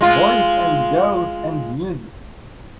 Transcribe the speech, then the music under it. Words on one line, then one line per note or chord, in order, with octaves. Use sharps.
Boys and girls and music.
G#3 F4